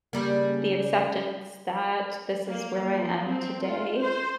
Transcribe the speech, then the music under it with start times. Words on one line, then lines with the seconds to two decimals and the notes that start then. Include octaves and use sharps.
the acceptance that this is where I am today.
0.13 C#3 G3 A#3
2.46 A#3
2.95 F3
3.28 C4
3.61 F4
3.99 C5